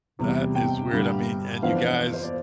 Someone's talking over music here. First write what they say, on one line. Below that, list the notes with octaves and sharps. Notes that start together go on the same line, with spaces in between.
That is weird, I mean, and you guys
E2 C3 G3
G5
G2 D3 G3
F2 E3 B3 D4 F5
C5
D5